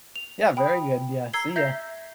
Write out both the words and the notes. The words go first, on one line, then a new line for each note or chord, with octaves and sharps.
Yeah, very good, yeah. See ya.
F7
G5 B5 D#6
A#5 E6 G#6 C7 G7
E5 G6 G#6 A#6 C7